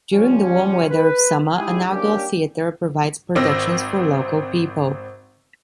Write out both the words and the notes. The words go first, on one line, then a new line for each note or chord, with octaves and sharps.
During the warm weather of summer an outdoor theater provides productions for local people.
F3 G3 C#4
B4
G#3 D#4 E4 G4 G#4
G3 A#3 C#4 D4 G4
G#1 C4 E6 A#6